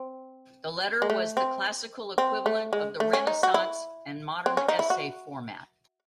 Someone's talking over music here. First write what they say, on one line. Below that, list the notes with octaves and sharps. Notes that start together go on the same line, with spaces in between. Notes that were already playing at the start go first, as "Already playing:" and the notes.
The Letter was the classical equivalent of the Renaissance and modern Essay format.
Already playing: C4
G#3
A3
C4
C4
A3
G#3
A3
C#4
D#4
F#4
E4
C4
C#4
D#4
E4
F#4